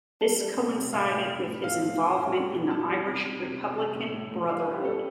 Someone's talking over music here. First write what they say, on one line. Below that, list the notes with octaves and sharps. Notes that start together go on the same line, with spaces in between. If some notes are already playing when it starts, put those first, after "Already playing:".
This coincided with his involvement in the Irish Republican Brotherhood.
G3 A5
G3
C3
C3
A2 F5
A2
A2
A2
A2 F5
F3
A2 G5
A2
G3
B2
B2 A5
G3
C3
C3
C3
C3
G3 A5
A2
A2
A2
G3 F5
B4
G3
G4
G3 A4